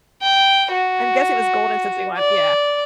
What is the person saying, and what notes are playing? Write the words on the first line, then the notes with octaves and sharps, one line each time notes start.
I'm guessing it was Golden since we went yeah.
G5
F#4
D5